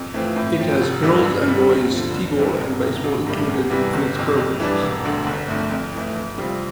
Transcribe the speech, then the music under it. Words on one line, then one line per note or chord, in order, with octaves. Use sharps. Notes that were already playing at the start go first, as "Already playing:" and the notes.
It has girls' and boys' T-ball and baseball included in its programs.
Already playing: F2
E3 A3 C4 F4
A2
F3 C4
F1
F2 C3 E3 G3
G2
D3 G3
D2
D3 F3
G1
G2 E3 G3 C4
E1
D2 C3
A1
A2 G3 A#3 D4
E2
C3 E3 G3
G1
F2 C3
F2
E3 G3 D4
E1
D2 D3
G1
F2 D3 A3
F2
E3 A3
F2
C3 G3 C4 F4